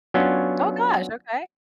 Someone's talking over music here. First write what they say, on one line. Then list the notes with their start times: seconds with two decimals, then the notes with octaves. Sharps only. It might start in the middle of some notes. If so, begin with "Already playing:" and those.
Oh gosh! Okay.
0.14 F#3 B3 C#4 D4 F4